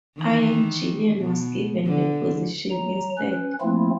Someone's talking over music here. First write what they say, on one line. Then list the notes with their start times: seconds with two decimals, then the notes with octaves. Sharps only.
Ian Gillan was given the position instead.
0.17 D#3 E3
1.18 B2
1.86 D3
2.70 F#3 A#5
3.18 C#4 B4
3.61 F3 A3 A#3 C4 E4 F4